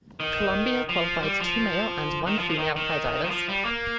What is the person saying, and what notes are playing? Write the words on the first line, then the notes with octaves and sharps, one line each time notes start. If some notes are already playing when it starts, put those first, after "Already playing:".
Colombia qualified two male and one female high divers.
D#3
F3
G3
F3
D#3
F3
F3
D#3
D#3
D#3
F3
G3
A#3